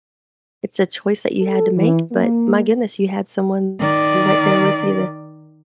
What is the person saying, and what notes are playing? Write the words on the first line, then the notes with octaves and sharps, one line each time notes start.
it's a choice that you had to make, but my goodness, you had someone right there with you to
A4
E3
A#3
D#3 D5